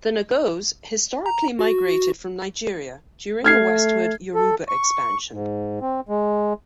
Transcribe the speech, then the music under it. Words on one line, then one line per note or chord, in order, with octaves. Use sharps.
The Nagots historically migrated from Nigeria during a westward Yoruba expansion.
A#5
F#4
A3 F6 G#6 C7
A4
C#6
G#2
C4
G#3